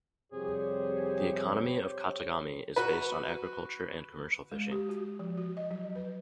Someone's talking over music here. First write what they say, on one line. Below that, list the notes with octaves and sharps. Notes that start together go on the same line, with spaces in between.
The economy of Katagami is based on agriculture and commercial fishing.
F2 C3 G3 G4 G#4 C5 C#5
F#4 B4
G#3
G4
F#4
F3
F#4
D#5
F#3
B4